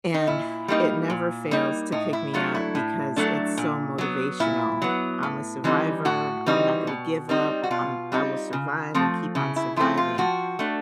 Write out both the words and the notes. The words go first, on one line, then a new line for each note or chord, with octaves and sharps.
and it never fails to pick me up because it's so motivational, "I'm a survivor, I'm not gonna give up. I'm I will survive and keep on surviving,"
D#4
A#2 E4
G3 A#3 D#4
A#2
G3 A#3 D#4
A2 D#4
E4
F#3 A3 D4 F4
E4
A2
F#3 A3 D4
A#2
F#3 B3
A#2 E4
F#3 B3
A2
E3 G3 C4 D#4
A2 F#4
E3 G3 C4 D#4
B2
G3 C4 D#4
F#4
B2 F4
G3 C4 D#4
C#3
F3 A3 C4
C#3 E4
E4
F3 A3 C4 E4
F4
F3 F#4
A3 D4